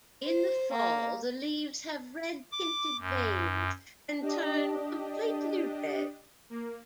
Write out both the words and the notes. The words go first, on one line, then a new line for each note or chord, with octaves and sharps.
In the fall, the leaves have red tinted veins and turn completely red.
C5
A#3
D6
F#2
D4 G4 D#5
A#3